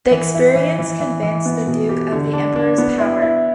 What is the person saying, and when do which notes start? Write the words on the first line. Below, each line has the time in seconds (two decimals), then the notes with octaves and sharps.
The experience convinced the Duke of the Emperor's power.
0.11 E3
0.34 E4
0.56 E3
0.79 E3
1.00 E3
1.23 E3
1.46 B3
1.67 B2
1.89 G4
2.12 D3
2.33 D4
2.56 D4
2.78 B3
3.00 E4
3.22 E4